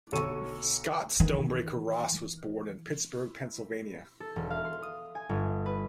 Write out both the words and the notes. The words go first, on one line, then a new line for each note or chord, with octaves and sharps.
Scott Stonebreaker Ross was born in Pittsburgh, Pennsylvania.
B1 D3 A4 C#5 C#6 D#7
D#3 E3
A4
E1
F5
C6
D#6
G#5
G1
B4